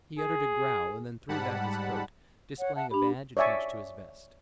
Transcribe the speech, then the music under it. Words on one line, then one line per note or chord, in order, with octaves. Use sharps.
He uttered a growl and then threw back his coat, displaying a badge attached to his vest.
G#4
G#2 G3 F#5 A5 B5
C#5 F#5
E5 F#5 A5
D4 G4 B5
C#5 D5 E5 G#5 C#6